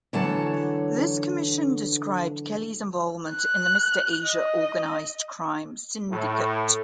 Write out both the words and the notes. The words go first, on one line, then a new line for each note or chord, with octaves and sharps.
This commission described Kelly's involvement in the Mr Asia organised crime syndicate.
D3 E3 F#3 C#5 F#5 A5
F#6
D#5
A2